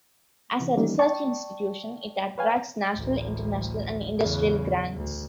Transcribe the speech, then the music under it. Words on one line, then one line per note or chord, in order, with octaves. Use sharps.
As a research institution it attracts national, international, and industrial grants.
C3 E3
D#3 E3 G3 A#3 C#4 D#4
D5 G5 A5 C#6
B4 C#5 F5 G5 G#5
A1 D2
E2 C#3
D2